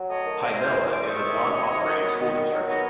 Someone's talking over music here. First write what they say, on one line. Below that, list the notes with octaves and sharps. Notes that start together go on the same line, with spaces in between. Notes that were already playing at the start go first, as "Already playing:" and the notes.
Hi-Nella is a non-operating school district.
Already playing: F#3
A3 C#5 D#5
D#3
C3 G#4 A#4
E3 A#4 C5
G#3
C3 C5 D5
A3 C#5 D#5
D#3
F#3
C3
D#3
F#3
B3
D#3
A#2
F#3
B3 C#5 D#5